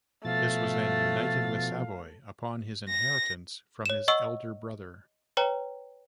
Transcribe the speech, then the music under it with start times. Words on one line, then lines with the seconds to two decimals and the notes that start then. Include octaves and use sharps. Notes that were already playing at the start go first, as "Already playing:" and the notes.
This was then united with Savoy upon his inheritance from his elder brother.
0.25 B2 F3 A3 F5 A6
2.89 A#6
3.86 C#5 E7
4.08 D#5 F#5 C#6 E6
5.37 B4 C#5 G5 A#5